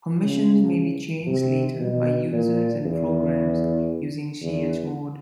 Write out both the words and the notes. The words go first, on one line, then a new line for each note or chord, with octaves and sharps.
Permissions may be changed later by users and programs using chmod.
C#3
C3
B2
A#2
E2
E2